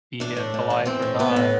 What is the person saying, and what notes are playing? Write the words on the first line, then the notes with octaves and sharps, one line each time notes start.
be it alive or not,
E3 D4
A2
A2
E3
E3 C4
A2
A2 B3
A2